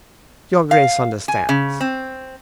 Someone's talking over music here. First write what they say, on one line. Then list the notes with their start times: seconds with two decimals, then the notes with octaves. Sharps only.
"Your Grace understands."
0.71 F5
1.28 G#5
1.49 C#3
1.81 C4